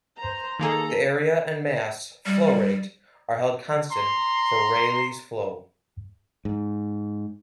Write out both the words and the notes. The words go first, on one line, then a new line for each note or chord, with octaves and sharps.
The area and mass flow rate are held constant for Rayleigh flow.
C5 A#5
D#3 A#3 G#4 A4 A#5
G3
A#5 C6
G#2